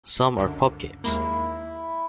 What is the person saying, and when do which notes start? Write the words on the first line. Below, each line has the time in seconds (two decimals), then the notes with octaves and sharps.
Some are pub games.
0.37 C#2 F#2 D3
1.04 D#2 G#3 A#3 E4